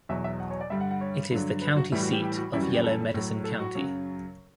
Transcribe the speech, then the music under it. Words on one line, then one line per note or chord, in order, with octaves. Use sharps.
It is the county seat of Yellow Medicine County.
E2 B2 F#3 E5
E5
F#5
C#5
D5
G2 D3 G3 E5
F#5
F#5
C#5
G2 D3 F#3
B4
F#4
A2 E3 G3 E4
F#4
G4
G4
F#4
F#2 E3 G3 E4
F#4
G4
A4
A2 F#3
A4
F#4
F#2 C#3 F#3